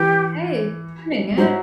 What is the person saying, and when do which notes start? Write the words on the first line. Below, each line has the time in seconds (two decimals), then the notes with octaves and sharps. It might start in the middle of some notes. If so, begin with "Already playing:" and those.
Right doing it.
Already playing: E3 G4
1.37 F#3 C5